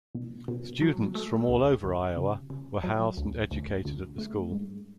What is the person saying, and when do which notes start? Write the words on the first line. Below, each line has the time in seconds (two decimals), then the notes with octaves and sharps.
Students from all over Iowa were housed and educated at the school.
0.15 B2
0.48 B2
0.82 F#3
1.15 A3
1.49 D2
1.83 D2
2.17 C#3
2.50 C#3
2.84 F#3
3.17 D2
3.51 D2
3.85 D2
4.18 A3
4.52 G#2